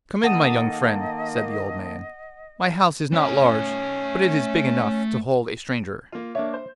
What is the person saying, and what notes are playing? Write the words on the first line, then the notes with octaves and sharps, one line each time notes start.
'Come in, my young friend,' said the old man; 'my house is not large, but it is big enough to hold a stranger.'
D#3 A#3 A4 D#5 F#5 D#6
A3 C#4 G5
A#3 F4
A#3 D4 C#5 E5
C5